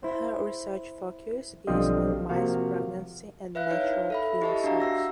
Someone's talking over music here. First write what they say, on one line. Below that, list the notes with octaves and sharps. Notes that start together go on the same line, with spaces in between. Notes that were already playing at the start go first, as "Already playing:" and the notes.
Her research focus is on mice pregnancy and natural killer cells.
E4 C5
B1 D3 F3 G3 C4 D#5
C3 F3 A#3 F#4 F5
B4 E5 F5 F#6
D#4 E4 B4 C#5 F5
A4 E5 B5
E4 G4 D#5 E5 A5 C#6
D4 F#4 E5 F5 A#5
F#5 E6 A#6